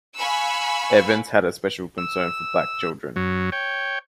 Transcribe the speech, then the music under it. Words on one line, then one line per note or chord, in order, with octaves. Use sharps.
Evans had a special concern for black children.
F5 G#5 B5 C#6 E6 F#6
E6
F#2 F#3
C#5 G5